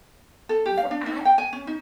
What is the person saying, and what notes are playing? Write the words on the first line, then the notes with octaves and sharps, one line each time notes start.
r I
A4
G4
F5
D4
D#4
G5
G#5
C#4
D#4